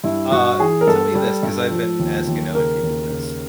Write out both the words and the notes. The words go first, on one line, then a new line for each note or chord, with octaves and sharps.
Uh, tell me this, 'cause I've been asking other people this,
G2 E4
G2 F#4
E3 G#4
A#4
G2 A4
G3
G2
F3
D#2
D#2
C#3 A#4
D#2
C#3